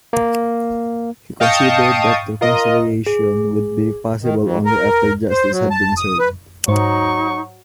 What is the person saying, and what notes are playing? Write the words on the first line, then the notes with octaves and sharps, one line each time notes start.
He considered that reconciliation would be possible only after justice had been served.
A#3
D#5 F5 G5 A5 C#6 D#6
F4 A#4 D#5
G#4
D#3
F2
A#4
C5
F#3
A5
D#6
B4
G#2 F#3 D#4 C5 C#6